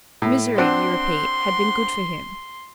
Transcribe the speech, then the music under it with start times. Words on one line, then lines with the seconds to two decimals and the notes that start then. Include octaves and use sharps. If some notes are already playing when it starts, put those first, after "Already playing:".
Misery, we repeat, had been good for him.
0.22 A2
0.58 C4 D4 F#5 C6